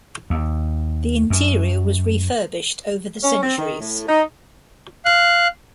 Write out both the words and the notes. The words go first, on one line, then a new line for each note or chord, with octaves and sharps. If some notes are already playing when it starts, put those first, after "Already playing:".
The interior was refurbished over the centuries.
D#2
F#2
C#4
C4
D#3
A2
D#4
F5 F#6